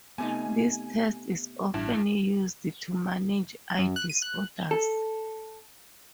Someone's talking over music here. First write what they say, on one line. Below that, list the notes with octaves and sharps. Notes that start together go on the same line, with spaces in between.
This test is often used to manage eye disorders.
C3 A3 B3 D#4 G#5
A1 G2 E4
F#2
F#6
D#7
F#6
A4